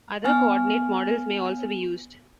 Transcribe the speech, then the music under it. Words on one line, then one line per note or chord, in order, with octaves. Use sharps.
Other coordinate models may also be used.
B3 G#5 F6